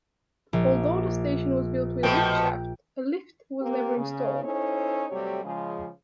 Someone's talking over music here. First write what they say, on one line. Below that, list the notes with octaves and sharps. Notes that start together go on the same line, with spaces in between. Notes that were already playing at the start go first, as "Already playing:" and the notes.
Although the station was built with a lift shaft a lift was never installed.
A#1
B2 F3 A3 G5 D7
A#3 C4 G4
C#3
C#4 D#4 E4 A4 C5 C#5
C3 F#3 G3 A3 G4 C#5
C#3 F3 G#3